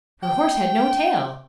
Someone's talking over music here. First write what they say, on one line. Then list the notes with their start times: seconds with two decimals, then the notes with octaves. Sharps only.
Her horse had no tail!
0.23 G5